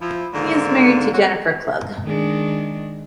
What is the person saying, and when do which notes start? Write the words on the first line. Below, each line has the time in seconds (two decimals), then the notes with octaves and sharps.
He is married to Jennifer Klug.
0.02 F3 E4
0.34 G#2 D3 D#3 A#3
1.14 C4 F#4 A#4 C#5
2.04 D#3 G#3 D4